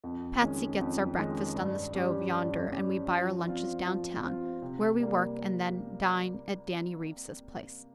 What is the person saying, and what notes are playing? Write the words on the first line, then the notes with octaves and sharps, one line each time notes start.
Patsy gets our breakfast on the stove yonder, and we buy our lunches down town, where we work, and then dine at Danny Reeves's place.
F2
D#3 G#3 C#4
F2
D#3 G#3 C#4
G2
G3 C#4 G4
G2
G3 C#4 G4
F3
C4 F4
F3
C4 F4
C3
G3 A#3